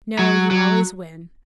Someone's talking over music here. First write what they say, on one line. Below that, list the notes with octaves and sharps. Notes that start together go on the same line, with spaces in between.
"No; you always win."
F#3
F#3